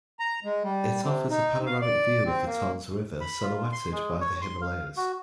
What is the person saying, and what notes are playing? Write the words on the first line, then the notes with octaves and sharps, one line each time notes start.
It offers a panoramic view of the Tons River silhouetted by the Himalayas.
A#5
G#3
G3
C3
D#4
F5
D5
C4
A#3
B5
F4
C6
G#3
C#5
C6
F5
F#4